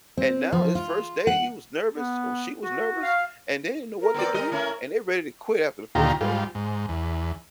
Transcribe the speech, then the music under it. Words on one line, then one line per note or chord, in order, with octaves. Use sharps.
and now his first day he was nervous or she was nervous, and they didn't know what to do, and they're ready to quit after the first day.
C4
F3
F4
F#5
B3
F#4
F5
A#4
B3 C4 D5
G3 D#4 D#5
A3 C#4 E4
D2 A#2 D#3 F4 G4 A#5
G#2 G3 F4
G#2
E2